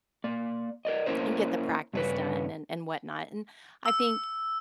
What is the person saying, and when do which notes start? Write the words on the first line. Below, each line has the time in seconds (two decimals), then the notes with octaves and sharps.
and get the practice done and and whatnot. And, I think
0.24 A#3 D5
0.85 A#4 D5 D#5
1.06 A#3 C#4 E4 A#4 C5
1.93 G2 C#3 C#4 D4 B4
3.86 E6